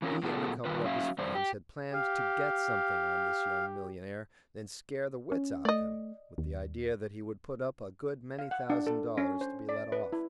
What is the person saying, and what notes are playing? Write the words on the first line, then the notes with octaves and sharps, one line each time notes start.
He and a couple of his friends had planned to "get something" on this young millionaire, and scare the wits out of him, with the idea that he would put up a good many thousand dollars to be let off.
E3 C#4 F4 A#4
A#2 F#3 B3 F4 G#4 A4
G2 D#3 F4 B4
F#3 C#4 E5 F5
G2 C5 D5
G4
G4 F5
C#4
A3 D5 D#5
D#2
F5
F#5
D4
A4
C#4
C5
D5
B4
E4